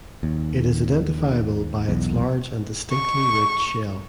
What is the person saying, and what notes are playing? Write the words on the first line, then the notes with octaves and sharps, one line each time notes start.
It is identifiable by its large and distinctly ribbed shell.
D#2
B1 E2
C#6